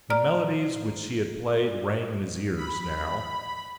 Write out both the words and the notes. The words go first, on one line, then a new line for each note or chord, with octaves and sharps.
The melodies which she had played rang in his ears now.
D5 A#5 F6
B5